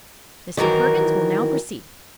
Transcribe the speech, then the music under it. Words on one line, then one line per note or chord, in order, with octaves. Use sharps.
"Mr. Perkins will now proceed."
D#3 E3 F#3 A#4